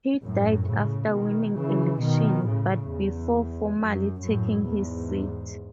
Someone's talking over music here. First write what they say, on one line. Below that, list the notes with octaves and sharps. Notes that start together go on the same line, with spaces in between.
He died after winning election, but before formally taking his seat.
F#2 A2
A2 C#3
B2 D#3
C#3 E3
B2 D#3
A2 C#3
E2
F#2
F#2 A2
E2 G#2